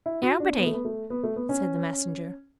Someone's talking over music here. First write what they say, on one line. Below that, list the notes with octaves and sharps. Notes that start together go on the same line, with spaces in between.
'Nobody,' said the Messenger.
E4
F#4
D4
B3
A3
B3
A3
B3
A3
B3
C#4